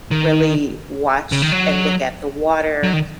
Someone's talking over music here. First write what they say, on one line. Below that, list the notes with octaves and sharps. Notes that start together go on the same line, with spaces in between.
really watch and look at the water
D#3
C#3
D#3
F#3
F#3
D#3